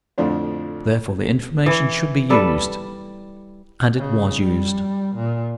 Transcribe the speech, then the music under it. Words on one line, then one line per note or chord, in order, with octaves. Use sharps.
Therefore the information should be used--and it was used.
F2 A2 D3 F3 D4 C5
E3
G3 A4 B4
C#3
G3
A#2